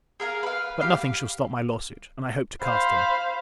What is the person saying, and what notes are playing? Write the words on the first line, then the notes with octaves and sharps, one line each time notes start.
But nothing shall stop my law-suit, and I hope to cast him.
G#4 A#4 F5
B4 F5
G4 F5
C5 F5 B5